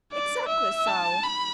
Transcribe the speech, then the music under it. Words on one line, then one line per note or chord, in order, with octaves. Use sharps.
'Exactly so.
D5
E5
A5
B5